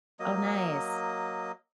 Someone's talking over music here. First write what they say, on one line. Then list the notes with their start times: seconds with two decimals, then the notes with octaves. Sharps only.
Oh, nice.
0.20 F#3 A#3 D#5